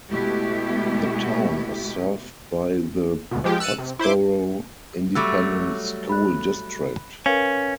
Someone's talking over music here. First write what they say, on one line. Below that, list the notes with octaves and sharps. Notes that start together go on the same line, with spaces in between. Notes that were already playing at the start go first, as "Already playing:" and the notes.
The town is served by the Pottsboro Independent School District.
B2 G#3 A3 B3 E4 G4
D2 B2
F3 G#3 G4
E6 F#6 A6 C#7 D#7
C3
E4 C5 C6 D6
F#3 G3 A3 C#6 D6 E6
B5 F#6
C#4 A#4 B4 F5